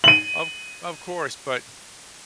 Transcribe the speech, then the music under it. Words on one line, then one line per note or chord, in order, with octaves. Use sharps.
Of of course but
D#7 F#7